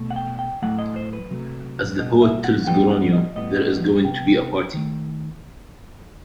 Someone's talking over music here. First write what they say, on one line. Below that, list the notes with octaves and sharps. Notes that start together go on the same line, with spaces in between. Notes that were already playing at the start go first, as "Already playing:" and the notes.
As the poet tells Geronio, there is going to be a party.
Already playing: B2 A3
F#5
G5
G5
A2 F#3 A3 F#5
D#5
C5
B4
C3 F#3 A3
B2 G3 B3 D#5
E5
F#5
A2 G3 B3 G5
F#5
D#5
A2 G3 B3 D#5
C3 F#3 B3 G5
D#3 A3